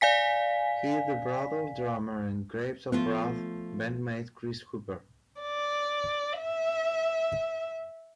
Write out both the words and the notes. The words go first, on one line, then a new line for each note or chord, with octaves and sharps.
He is the brother of drummer and Grapes of Wrath bandmate Chris Hooper.
D5 F5 G#5 B6
F3 A3 B3 F4
D5
E5